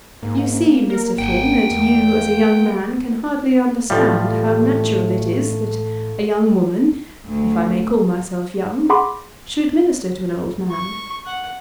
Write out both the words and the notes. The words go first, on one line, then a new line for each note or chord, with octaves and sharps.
"You see, Mr. Finn, that you as a young man can hardly understand how natural it is that a young woman,--if I may call myself young,--should minister to an old man."
G#2 A#3
A#4
G#1 F#5 G5
E2
A2 E3 F3 G3 A3 G4 F5
D2
G#4 F#5 B5 C6 D6
C#6
F#5